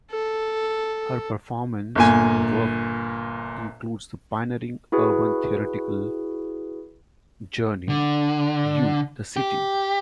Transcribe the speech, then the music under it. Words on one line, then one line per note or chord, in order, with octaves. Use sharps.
Her performance work includes the pioneering urban theatrical journey, "You-The City".
A4
G1 A#2 G#5
E4 F#4 G#4 B4
D3
G4